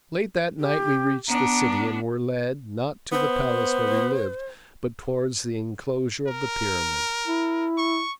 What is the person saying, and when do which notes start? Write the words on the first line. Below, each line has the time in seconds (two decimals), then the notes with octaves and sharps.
Late that night we reached the city and were led, not to the palace where we lived, but towards the enclosure of the pyramid.
0.60 G4
1.28 B3 D4 A#5
3.12 B3 C5
6.28 A#4
7.27 E4
7.78 C#6